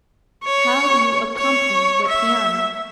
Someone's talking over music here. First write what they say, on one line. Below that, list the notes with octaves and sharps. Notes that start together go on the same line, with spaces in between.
"How you accompany with piano?"
C#5
C#5
E5